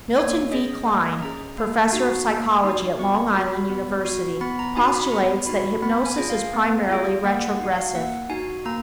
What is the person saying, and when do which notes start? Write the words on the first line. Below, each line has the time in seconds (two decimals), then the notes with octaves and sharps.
Milton V. Kline, professor of psychology at Long Island University, postulates that hypnosis is primarily retrogressive.
0.16 A#3 C#5
0.52 C#4 G#4 D#5
0.87 A#3 D#5
1.22 C#4 G#4 A#5
1.58 A#3
1.93 D#4 F#4
2.29 A#3
2.64 D#4 F#4
2.99 B3 C#6
3.35 F#4 B5
3.69 B3
4.05 F#4
4.41 B3 B5
4.59 A#5
4.77 D#4 F#4 G#5
4.94 B5
5.11 B3 A#5
5.46 D#4 F#4 B5
5.82 B3 B5
6.06 G#5
6.18 F4 G#4
6.30 F5
6.53 B3
6.89 F4 G#4
7.24 A#3 F#5
7.47 F#5
7.59 D#4 F#4
7.72 F5
7.95 A#3 F#5
8.30 D#4 F#4 G#5
8.65 A#3 A#5